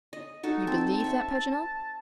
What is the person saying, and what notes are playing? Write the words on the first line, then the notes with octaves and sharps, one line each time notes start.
"You believe that, Paganel?"
D#5
D#4 F#4 A4
C4 A5
E5 C#6